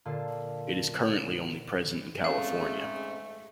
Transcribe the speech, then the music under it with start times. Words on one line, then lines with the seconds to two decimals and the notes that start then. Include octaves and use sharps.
It is currently only present in California.
0.05 A#2 D3 F4 A5
2.24 G#2 A3 C4 C#4 G#4 F5